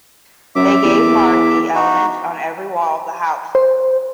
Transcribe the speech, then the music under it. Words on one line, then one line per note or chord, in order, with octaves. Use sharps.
They gave Marathi elements on every wall of the house.
F#2 E5 D6
E2
D#4 F#4
C5